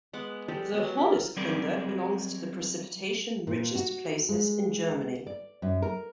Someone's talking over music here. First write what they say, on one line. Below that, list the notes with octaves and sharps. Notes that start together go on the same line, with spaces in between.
The Hornisgrinde belongs to the precipitation-richest places in Germany.
G#3 B3 F#5 D6
G3 G#3 G4 A4
F#3 B3
E4 A#4
F#3 G3 C4 G#4 A#4 D5
A#2
F#4
G#3
D5
F#2
A#4